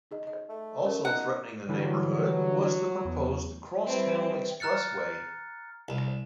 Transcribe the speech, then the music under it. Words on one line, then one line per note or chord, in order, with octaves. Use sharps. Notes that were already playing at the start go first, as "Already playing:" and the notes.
Also threatening the neighborhood was the proposed Crosstown Expressway.
D#4 G#4 D#5
D#5
A3
C#4 G4 A#4
D#4 F#5
D3 E3 F#3 G3
E2
G3 C4 E4 B4 G5
A#5 F6 F#6 A6 C#7
C2